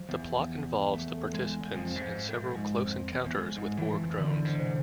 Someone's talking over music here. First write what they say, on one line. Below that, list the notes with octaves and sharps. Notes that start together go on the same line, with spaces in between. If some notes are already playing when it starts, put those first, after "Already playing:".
The plot involves the participants in several close encounters with Borg drones.
Already playing: F3
E2
A3
G#3
F2 F3
A2
G#2
A2
G#2 F3
F2
E2
E2
G#3
G#2
A2 E3
F2
E2 D3
G#2
C3